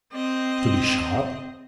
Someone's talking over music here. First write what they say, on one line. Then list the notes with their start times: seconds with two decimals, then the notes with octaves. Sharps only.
To be shot?
0.13 C4 D#5